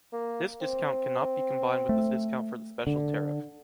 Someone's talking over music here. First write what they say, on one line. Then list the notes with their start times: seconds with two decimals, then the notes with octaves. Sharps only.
This discount cannot be combined with the discount for the special tariff.
0.13 A#3
0.61 C4
1.89 A3
2.87 D3